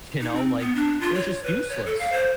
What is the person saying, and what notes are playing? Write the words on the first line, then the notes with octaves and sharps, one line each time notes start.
you know, like, it was just useless.
D#4
C4
B3
D4
F4
C#5
B4
C#5
A4
F5
C5